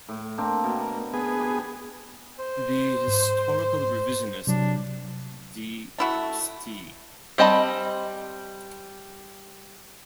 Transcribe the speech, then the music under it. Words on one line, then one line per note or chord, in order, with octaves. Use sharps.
The historical revisionist De Ste.
A2
A#3 C4 D4
B2 A#3
B3 G#4
G4
C5
G#2
C3 F#3 D4
A3 E4 F#4
G3 C4 D#5 A5 B5